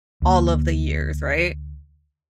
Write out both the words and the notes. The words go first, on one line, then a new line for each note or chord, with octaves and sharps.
all of the years, right,
D2 A#3